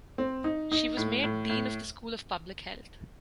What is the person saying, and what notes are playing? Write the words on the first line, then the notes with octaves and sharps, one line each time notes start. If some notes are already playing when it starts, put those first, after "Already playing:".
She was made Dean of the School of Public Health.
C4
D#4
D#4
A2
A2
A2